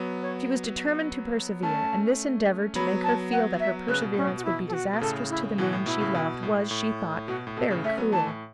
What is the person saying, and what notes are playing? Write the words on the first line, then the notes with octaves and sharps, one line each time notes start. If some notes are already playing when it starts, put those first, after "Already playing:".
She was determined to persevere; and this endeavour to make her feel that her perseverance would be disastrous to the man she loved was, she thought, very cruel.
Already playing: F#3 B3
C#5
A3 C#4 A5
F#3 B3 B5
A5
F#5
E5
C#3 B4
B2
A2 C#4
B2
F#4
E4
A4
F#4
B2
A2 C#3 A4
E4
B2 E3 F#4
A2
B2 E4
A2 C#3
B2
A2
A2
B2 F#4
A2
B2 A4
A2 C#3
A3 C#4 E5
F#3 B3
E3 A3 A5
A2